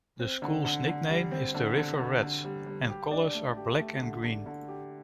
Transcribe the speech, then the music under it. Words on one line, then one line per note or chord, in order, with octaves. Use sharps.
The school's nickname is the River Rats and colors are black and green.
C4
D3
D3
D3
G3
C4
D3
D3
D3
D3
G3
G3
G4
D4
A3
G4
A3
D3
D3
D3
G4